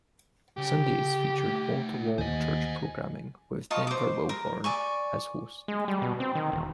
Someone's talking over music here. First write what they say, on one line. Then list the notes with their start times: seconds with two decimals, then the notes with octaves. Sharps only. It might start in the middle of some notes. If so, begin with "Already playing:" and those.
Sundays featured wall-to-wall church programming with Denver Wilborn as host.
0.57 C#3 G4
1.44 A3 D#4
2.18 D#2 C5 D#5 G#5
3.70 F4 D#5 A5 C#6
3.87 C5 D6
4.29 A#4
4.64 D5 G#5 C#6
5.68 G#3
5.88 G3
6.02 B2
6.20 C4
6.35 D#3
6.52 E1